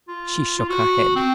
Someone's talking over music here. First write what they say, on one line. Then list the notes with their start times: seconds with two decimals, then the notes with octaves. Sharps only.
She shook her head.
0.08 F4
0.59 F4
0.69 F#4
1.16 C4